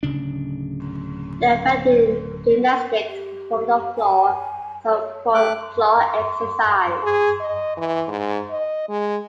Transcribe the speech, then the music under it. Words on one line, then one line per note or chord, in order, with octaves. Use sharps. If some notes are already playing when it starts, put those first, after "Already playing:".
The event in gymnastics performed on floor is called floor exercise.
D1 C#3 D4
G4
G#5
C#5
A3 G5 D6 F#6
G#4
D#5
E3
G#2
D#5
G#3